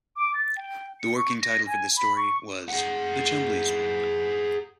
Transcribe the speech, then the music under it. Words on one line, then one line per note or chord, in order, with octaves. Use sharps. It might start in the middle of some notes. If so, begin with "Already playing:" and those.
The working title for this story was "The Chumblies".
D6
A6
G5
C#7
C#6
A#6
G#5
B5
C#6
G#4 F#5